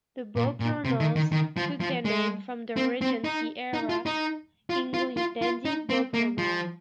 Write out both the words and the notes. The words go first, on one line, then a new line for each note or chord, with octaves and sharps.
The Beau Brummels took their name from the Regency era English dandy Beau Brummel.
A#2
A#2
C3
D#3
D#3
D#3
F3
F3
G#3
C4
C4
D#4
D#4
F4
D#4
F4
F4
F4
F4
D#4
C4
A#3
F3